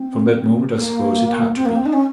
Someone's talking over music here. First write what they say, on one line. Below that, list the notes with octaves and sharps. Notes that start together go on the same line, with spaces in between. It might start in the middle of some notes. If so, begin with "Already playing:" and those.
From that moment, I suppose, it had to be.
Already playing: C4
A#3
C4
A#3
C4
D#4
C#4